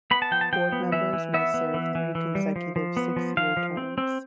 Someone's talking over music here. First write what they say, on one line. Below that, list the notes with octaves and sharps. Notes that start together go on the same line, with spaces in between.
Board members may serve three consecutive six-year terms.
B3 B5
A5
F3 G5
A5
F3 G5
B3
E3 E5
E3
B3 E5
B3
E3
E3
E3
G3
F3
F3
B3
F3
F3 F5
F3
C4
C4